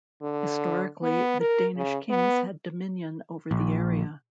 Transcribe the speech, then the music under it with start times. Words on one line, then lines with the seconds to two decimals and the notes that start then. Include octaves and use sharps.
Historically the Danish kings had dominion over the area.
0.22 D3
1.03 B3
1.40 A#4
1.77 C#3
2.10 B3
3.51 A#1